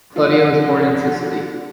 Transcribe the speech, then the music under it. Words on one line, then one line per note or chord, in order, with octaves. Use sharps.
Claudia was born in Sicily.
D3 F3 A3 F4